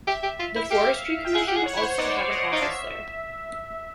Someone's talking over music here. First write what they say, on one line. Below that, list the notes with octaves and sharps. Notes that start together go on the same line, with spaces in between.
The Forestry Commission also have an office there.
G4 E5
G4
F4
E4
E5
G4 F5
G5
G#4 F#5
G4
G#4
C#5
E4
C5
C#5
D#4 D5
D#5
D#4 F5
D4 E5